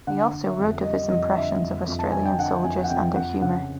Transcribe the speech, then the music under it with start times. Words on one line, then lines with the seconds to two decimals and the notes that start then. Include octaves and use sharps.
He also wrote of his impressions of Australian soldiers and their humour.
0.07 D3 F#5
0.33 D3
0.45 E5
0.58 F2
0.83 G3 D#5
1.10 F2 D#5
1.35 D3 E5
1.61 F2
1.87 F2
1.99 A5
2.12 F2 G#5
2.25 G5
2.38 D3 F#5
2.64 F2 G#5
2.84 F#5
2.90 F2 G5
3.16 F2 F#5
3.42 C#3 F#5